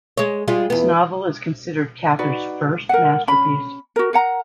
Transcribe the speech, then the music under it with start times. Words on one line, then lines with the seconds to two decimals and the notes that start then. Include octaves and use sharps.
This novel is considered Cather's first masterpiece.
0.18 G#3 C#5
0.48 G3 G#3 F4
0.70 E2 B3
2.19 D#4 F#4 B4 D5
2.89 A#4 F#5
3.28 C#4 B5
3.96 F#4 A#4
4.13 A#4 F#5 A#5